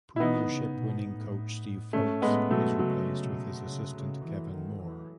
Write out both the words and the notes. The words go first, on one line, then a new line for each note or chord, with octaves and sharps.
Premiership-winning coach Steve Folkes was replaced with his assistant Kevin Moore.
E4
E3 B3 D#4
C#3
B2
A2
G#2 A3 C#4
A2 G#3 B3
B2 F#3 A3
C#3 F#3
B2
C#3
C#3
E3
D#3
E3